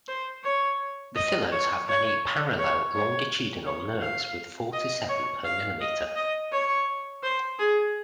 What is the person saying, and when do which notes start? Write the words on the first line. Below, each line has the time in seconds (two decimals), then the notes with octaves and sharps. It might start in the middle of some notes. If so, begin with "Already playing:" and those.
The phyllodes have many parallel longitudinal nerves with four to seven per millimetre.
0.08 C5
0.44 C#5
1.15 D#5
1.51 C#5
1.87 C#5
2.59 C#5
2.94 C#5
3.66 C#5
4.01 F5
4.73 D#5
5.09 C#5
5.44 F5
5.81 D#5
6.16 D#5
6.52 C#5
7.23 C5
7.59 G#4